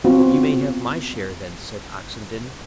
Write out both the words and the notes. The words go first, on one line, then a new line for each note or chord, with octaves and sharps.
"You may have my share, then," said Oxenden.
B3 C4 F4 F#4